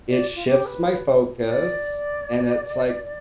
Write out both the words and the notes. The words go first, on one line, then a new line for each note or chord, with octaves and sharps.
it shifts my focus, and it's, like,
D5
F4
G4
B4
D5